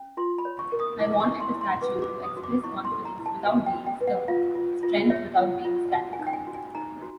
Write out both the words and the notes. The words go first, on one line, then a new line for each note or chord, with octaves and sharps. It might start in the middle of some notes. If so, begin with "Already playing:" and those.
I wanted the statue to express confidence without being stern, strength without being static.
Already playing: C#4
F4 C6
B5
C#5
C#6
A#4
D#6
E4 D6
D6
C#6
E4
C6
E4
C6
B4 D6
D6
F#4
D#6
F#4
D6
E4 C#6
C6
A4
A#5
E4
A5
F#4 G#5
G5
F#4
G5
B4
F#5
F4 F5
F4
F4
C#5 E5
F4
F4
F#4 F#5
G#5
D#4
G5
G#5
F#4
G#5
D#4 A#5
F#4